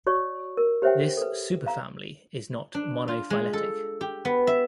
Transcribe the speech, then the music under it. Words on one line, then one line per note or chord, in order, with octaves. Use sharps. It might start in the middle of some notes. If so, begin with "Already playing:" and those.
This superfamily is not monophyletic.
F#4 C#5 D5 C#6
A#4
G4 C5 C#5 E5 F#5 G5
A4 B4
F5 A#5
D4
F4
G#3
A4
G4
B3
E5